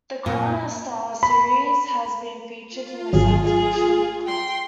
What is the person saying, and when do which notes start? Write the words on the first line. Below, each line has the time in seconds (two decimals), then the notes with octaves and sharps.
The Crown of Stars series has been featured in the Science Fiction Book Club.
0.26 A#2
1.23 B5
2.70 F4
3.13 G#1 F#3 G#4
3.45 G#4
4.25 G5 C6